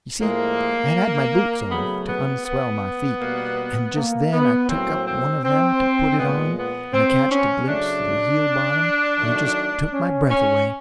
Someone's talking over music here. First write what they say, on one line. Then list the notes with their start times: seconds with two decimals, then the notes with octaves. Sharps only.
You see, I had had my boots off, to unswell my feet, and just then I took up one of them to put it on, and I catched a glimpse of the heel-bottom, and it just took my breath away.
0.20 A2 F3 G#3 A#3
1.70 C#3 F#3 A3 B3
2.06 B3
2.45 B3
3.19 B2 G3 A#3
3.95 A#3
4.32 B3
4.68 A2 F#3 A#3 C4
5.06 C4
5.44 C4
6.18 A#2 F3 G#3 B3
6.56 B3
6.93 C4
7.30 C#4
7.67 C#3 F#3 A3 D4
9.18 D#3 F#3 A3
9.92 C#4
10.29 C#4